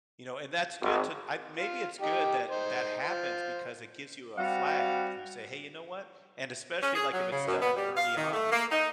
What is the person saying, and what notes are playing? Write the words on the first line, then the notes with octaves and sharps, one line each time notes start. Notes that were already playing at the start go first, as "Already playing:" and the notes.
you know, and that's good to I maybe it's good that that happens because it gives you a flag. You say, "Hey, you know what?" And especially, like, if it's done early on,
G#1
F4
D#4 G4
D#4 C5
F4 C5
G3 C4 F#4 F5 F#5
C#4
G#4
F#3
C#3
F#2
B3
G3
F5
D#3
A3
A#3
D#4